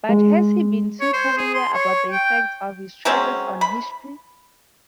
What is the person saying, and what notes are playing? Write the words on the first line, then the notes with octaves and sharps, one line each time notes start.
But has he been too cavalier about the effects of his travels on history?
G#3
C#5
C5
G#4
C6
C#5
G5
F#3 G#3 C4 C#4
B5